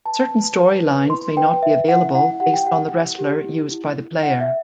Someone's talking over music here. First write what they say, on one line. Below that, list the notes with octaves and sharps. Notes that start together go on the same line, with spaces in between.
Certain storylines may not be available based on the wrestler used by the player.
B4 A5
B4
B4
B4
E4 C6
B4 G5
B4 E5
E4 F#5
E4 F#5
G4 F#5
G5
G4 F#5
E4
G4
E4
E4
E4
E4 F#5
E5